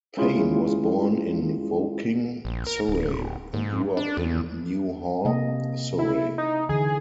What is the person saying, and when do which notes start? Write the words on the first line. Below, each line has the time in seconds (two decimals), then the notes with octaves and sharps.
Payne was born in Woking, Surrey, and grew up in New Haw, Surrey.
0.17 G#3 C#4 E4 F4 G#4
2.45 A#1
2.67 A#4
2.88 D1
3.54 G#2
3.97 D4
4.17 E2
5.25 C3 A#3 D#5
5.99 E4
6.38 D#4
6.69 D3 E3 G#4